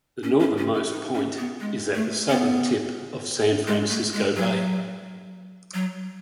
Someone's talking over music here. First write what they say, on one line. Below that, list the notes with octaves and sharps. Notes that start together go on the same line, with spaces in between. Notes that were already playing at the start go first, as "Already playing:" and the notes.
The northernmost point is at the southern tip of San Francisco Bay.
C#4
C#4
C#4
E4
D#4
C#4
B3
G#3
A3
B3
G#3
A3
G#3
F#3
F#3